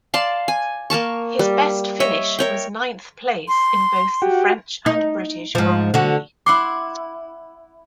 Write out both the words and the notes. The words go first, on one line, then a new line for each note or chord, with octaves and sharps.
His best finish was ninth place in both the French and British Grands Prix.
D5 F5 A5 C6
G#5
A#3 A#4 A5 C#6
G3
C#5 D#5 E5
A#4 C#5 G5
C6
F#4 G4
D#4
G#2 F3
D3 F#4
E4 F#5 C6 D6